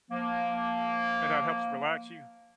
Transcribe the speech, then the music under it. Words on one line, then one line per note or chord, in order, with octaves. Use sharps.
And that helps relax you?
F3 A#3